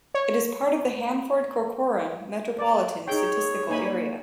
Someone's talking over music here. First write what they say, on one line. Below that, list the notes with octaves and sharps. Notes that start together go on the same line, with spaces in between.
It is part of the Hanford-Corcoran Metropolitan Statistical Area.
C#5
D5
D#4 G#4 C#5 G5
A#3 D#4 G#5 B5